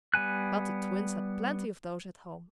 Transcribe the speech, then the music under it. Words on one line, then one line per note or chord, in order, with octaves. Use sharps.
But the Twins had plenty of those at home.
G3 B3 G#5 F#6